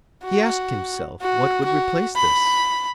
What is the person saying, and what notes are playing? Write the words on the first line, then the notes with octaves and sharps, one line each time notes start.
He asked himself what would replace this.
F#4
F#4
F#4
B5